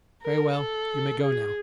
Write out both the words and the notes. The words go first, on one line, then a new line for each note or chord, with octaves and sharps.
"Very well, you may go now."
A#4
A4
G#4